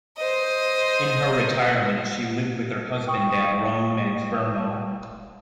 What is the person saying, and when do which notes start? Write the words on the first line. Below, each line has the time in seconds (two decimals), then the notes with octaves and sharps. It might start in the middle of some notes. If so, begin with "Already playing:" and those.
In her retirement she lived with her husband at Rome and Fermo.
0.17 C5 D#5
3.07 G5 C#6 D#6